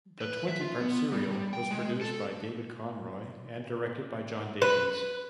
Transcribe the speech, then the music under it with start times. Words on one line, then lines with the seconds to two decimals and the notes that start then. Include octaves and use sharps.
The twenty-part serial was produced by David Conroy and directed by John Davies.
0.20 B4
0.48 E5
0.61 F4
0.80 B3
1.12 G3
1.53 G5
1.71 G#3
2.01 A4
4.62 B4